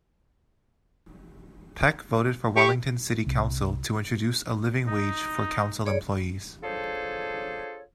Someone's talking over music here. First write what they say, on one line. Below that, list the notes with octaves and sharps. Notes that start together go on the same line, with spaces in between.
Peck voted for Wellington City Council to introduce a 'living wage' for council employees.
G4 C#6
C2
D#4
G#4 C#5 D5
D4 F4 G#4 A4 C5 C#5